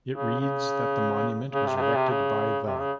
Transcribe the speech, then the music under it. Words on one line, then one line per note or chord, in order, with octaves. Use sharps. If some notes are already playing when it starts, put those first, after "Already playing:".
It reads that the monument was erected by the...
C#3
C#3
C#3
C3
C3
C#3
C3
C#3
C3
C#3